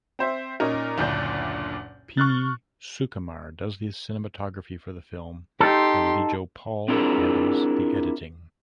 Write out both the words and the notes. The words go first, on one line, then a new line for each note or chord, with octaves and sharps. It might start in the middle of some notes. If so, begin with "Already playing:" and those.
P Sukumar does the cinematography for the film and Lijo Paul handles the editing.
C4 C5 E5
A#2 C#4 D#4 A#4
F#1 D2 A#2 D4 G6
C#6 F6 F#6 A6
D#4 G4 A4 C6
C4 D4 E4 F4 G#4 A#4